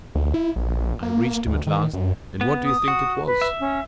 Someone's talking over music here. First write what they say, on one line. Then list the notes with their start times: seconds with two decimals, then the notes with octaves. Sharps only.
I reached him at last, and what do you think it was?
0.15 D2
0.34 E4
0.56 A#1
1.03 A#3
1.47 D2
1.67 D#3
1.93 F#2
2.41 B3
2.65 D#6
2.88 F#4
3.26 B4
3.41 E5
3.60 C#4